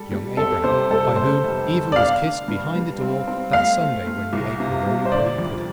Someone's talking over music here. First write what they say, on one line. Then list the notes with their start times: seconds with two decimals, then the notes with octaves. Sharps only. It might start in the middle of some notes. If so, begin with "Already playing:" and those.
It was young Abraham, by whom Eva was kissed behind the door that Sunday when we ate the roly-poly pudding.
Already playing: G3 A4
0.11 G3
0.37 C4 A4
0.64 C3 C5
0.90 G3 A4
1.16 A3 C5
1.44 F1
1.70 D3
1.92 D5
1.96 D4 F5
2.22 D4
2.48 G2
2.75 G3
3.01 C4
3.28 C4
3.53 A3 F5
3.81 A3
4.07 A3
4.33 C2
4.60 C3
4.86 G3
5.05 C5
5.12 D3 D5
5.38 F2